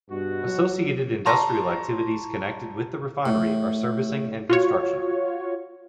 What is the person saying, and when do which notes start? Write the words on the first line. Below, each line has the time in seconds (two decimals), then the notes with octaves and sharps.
Associated industrial activities connected with the refinery are servicing and construction.
0.10 G2 B2 F#4
0.45 F#3
1.26 A5 A#5 C6 C#6 A#6
3.26 A2
4.49 F4 F#4 C#5